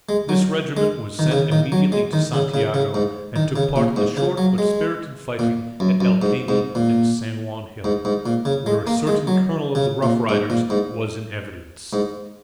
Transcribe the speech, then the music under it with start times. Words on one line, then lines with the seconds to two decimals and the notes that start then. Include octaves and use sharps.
This regiment was sent immediately to Santiago, and took part in the short but spirited fighting at El Caney and San Juan hill--where a certain Colonel of the Rough Riders was in evidence.
0.09 G#3
0.29 F#3
0.77 G#3
1.19 D#3
1.31 C#3
1.52 D#3
1.72 F#3
1.92 G#3
2.13 D#3
2.34 C#3
2.54 C#3
2.74 C#3
2.94 G#2
3.36 D#3
3.56 C#3
3.76 A#2
3.96 G#2
4.17 C#3
4.38 F#3
4.58 G#3
5.39 A#2
5.80 F#2
6.01 F#2
6.22 G#2
6.49 G#2
6.75 A#2
7.84 G#2
8.05 G#2
8.26 A#2
8.45 C#3
8.66 G#3
8.87 A#3
9.07 G#3
9.27 F#3
9.75 C#3
10.03 A#2
10.29 G#2
10.50 A#2
10.70 G#2
11.93 G#2